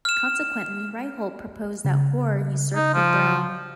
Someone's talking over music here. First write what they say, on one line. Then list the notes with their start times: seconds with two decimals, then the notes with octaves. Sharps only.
Consequently, Ryholt proposed that Hor usurped the throne.
0.05 F6 E7
1.85 C#3
2.75 D#4
2.94 F3